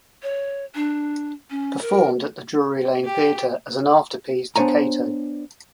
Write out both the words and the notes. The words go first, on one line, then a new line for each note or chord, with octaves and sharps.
Performed at the Drury Lane Theatre as an afterpiece to Cato.
C#5
D4
C#4
A#4
G4
B3 D4 C5 C#5 G#5 A#5